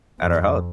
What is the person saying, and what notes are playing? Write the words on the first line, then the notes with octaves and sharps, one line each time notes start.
at our health.
F2